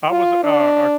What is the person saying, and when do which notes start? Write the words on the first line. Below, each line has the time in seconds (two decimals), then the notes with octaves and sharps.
I was, a, uh uh
0.11 F4
0.44 D4